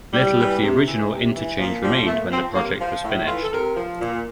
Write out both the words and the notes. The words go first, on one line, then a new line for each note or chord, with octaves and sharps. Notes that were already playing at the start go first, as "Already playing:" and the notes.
Little of the original interchange remained when the project was finished.
A2 G3
E3
C3
E3
C3
E3
A#2 F3
F3 G3
A#2 A3
F3 C4
C3 A#3
F3
A2
E3 F4
A4
C3 A#4
F3
A#2